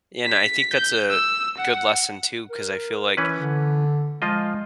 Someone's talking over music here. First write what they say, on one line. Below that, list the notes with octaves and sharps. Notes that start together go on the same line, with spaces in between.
And, I think that's a, good lesson too 'cause I feel like,
B6
G6
E6
F#5
A#4
E3 C#4 B4
D3
F3 G#3 F4 D#5